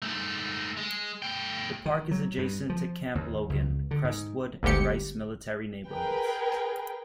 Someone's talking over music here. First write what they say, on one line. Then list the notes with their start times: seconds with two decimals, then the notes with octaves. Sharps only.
The park is adjacent to the Camp Logan, Crestwood, and Rice Military neighborhoods.
0.02 G#2 A3
0.77 G#3
1.22 A3 G5
1.86 D#3
2.11 F#3
2.38 G2
2.70 F3
3.15 D#2
3.50 C#2
3.91 D3
4.04 G#2
4.63 G1 D2 G#2 G4 C#7
5.90 G#4 A#4 B4 G5